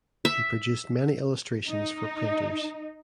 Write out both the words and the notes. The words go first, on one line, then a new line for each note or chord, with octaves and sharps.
He produced many illustrations for printers.
E5
D#4